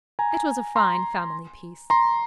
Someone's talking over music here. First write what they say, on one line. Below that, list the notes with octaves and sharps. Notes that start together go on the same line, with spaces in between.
It was a fine family-piece.
G#5 A#5
A#5 C6
A#5 C6